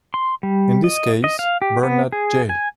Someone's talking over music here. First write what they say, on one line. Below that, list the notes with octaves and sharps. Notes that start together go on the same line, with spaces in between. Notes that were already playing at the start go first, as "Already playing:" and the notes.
In this case, Bernard J.
C6
G3
D#5
D#5
F5
G4
B3
G#4
G#5